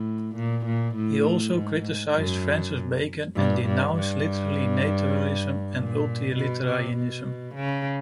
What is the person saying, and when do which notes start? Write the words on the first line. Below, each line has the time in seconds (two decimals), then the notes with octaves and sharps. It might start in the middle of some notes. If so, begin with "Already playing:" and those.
He also criticized Francis Bacon and denounced literary naturalism and utilitarianism.
Already playing: A2
0.36 A#2
0.66 A#2
0.96 A2
1.55 G#2
2.16 F#2
3.36 G2
3.66 G2
3.95 G2
5.75 A#2
6.35 B2
6.65 C3
6.95 B2
7.55 C#3